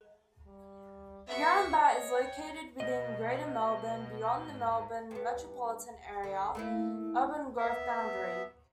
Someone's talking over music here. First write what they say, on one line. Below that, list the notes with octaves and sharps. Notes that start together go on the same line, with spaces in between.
Yarrambat is located within Greater Melbourne, beyond the Melbourne metropolitan area Urban Growth Boundary.
G3
B3 E5 C#6
C#5 D#5
G5
B2 D#5
G#2
G2 B3
D3
A3 A#3 E4
B3 E5